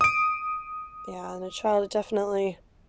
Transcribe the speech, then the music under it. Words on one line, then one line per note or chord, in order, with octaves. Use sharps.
Yeah, and a child, definitely
D#6 D7